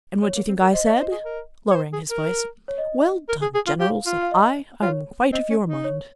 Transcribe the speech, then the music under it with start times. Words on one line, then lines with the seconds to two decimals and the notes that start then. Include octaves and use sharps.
"And what do you think I said?"--lowering his voice--"well done, general, said I; I am quite of your mind."
0.22 G3 C#5
0.36 A#3
0.48 C4
0.61 A#4
0.73 C5 D#5
0.86 C#5
1.00 C5
1.12 G#4
1.25 A#4
1.71 C#5
1.76 C5
1.93 G#4
2.11 A#4
2.68 C#5
2.78 D#5
3.29 A#4
3.42 G#4
3.54 G#4
3.67 F4
3.80 G4 F5
4.06 F4
4.23 F5
4.32 D#5
4.82 F4 C#5
5.32 C4 D#5
5.50 C#4
5.67 D#4
5.84 C#5